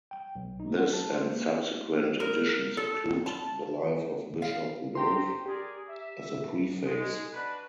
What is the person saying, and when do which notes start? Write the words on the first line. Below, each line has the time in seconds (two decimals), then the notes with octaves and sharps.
This and subsequent editions include the life of Bishop Lowth as a preface.
0.11 G5
0.35 B1
0.60 D#4
0.77 F#5
0.93 A5
1.12 C5
1.29 A#3
2.20 A#4
2.77 A4
3.26 A5
4.42 F5
4.95 C4 G4 G5 A#5 C6
5.46 G4 G#4 A#4 D5
5.87 E5
6.84 G#3
7.33 D4 F#4 B4